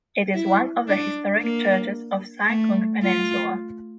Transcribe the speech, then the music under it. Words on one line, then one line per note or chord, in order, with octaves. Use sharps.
It is one of the historic churches of Sai Kung Peninsula.
E4
D4
A#3
A3
F4